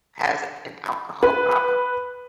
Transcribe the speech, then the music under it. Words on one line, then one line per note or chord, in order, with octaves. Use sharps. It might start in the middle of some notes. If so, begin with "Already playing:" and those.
has an alcohol problem,
B4